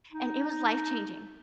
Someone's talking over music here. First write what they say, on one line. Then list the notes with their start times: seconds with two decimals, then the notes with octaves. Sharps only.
and it was life-changing.
0.12 D#4